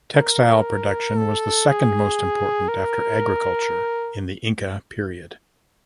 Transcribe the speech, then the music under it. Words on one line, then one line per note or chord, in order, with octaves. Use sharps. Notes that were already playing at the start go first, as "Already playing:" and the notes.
Textile production was the second most important after agriculture in the Inca period.
A#4
A4
G#4
A#4